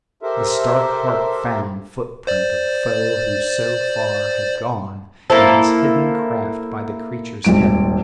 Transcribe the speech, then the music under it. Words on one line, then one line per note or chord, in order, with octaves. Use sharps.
The stark-heart found footprint of foe who so far had gone in his hidden craft by the creature's head.
G4 A4 A#4 C5 E5
C5 D5
A#3 E4 A4 C5
D#1 G#1 D7